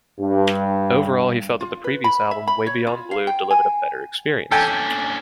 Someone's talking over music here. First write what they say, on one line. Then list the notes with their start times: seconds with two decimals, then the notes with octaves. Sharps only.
Overall, he felt that the previous album, "Way Beyond Blue" delivered a better experience.
0.20 G2
1.61 F4
1.84 B4
2.04 B5
2.31 E5
2.48 B5
2.66 C#5
2.87 F4
3.11 F5
3.27 G5
3.51 G#5
4.51 C#4 D4 A4 G5 G#5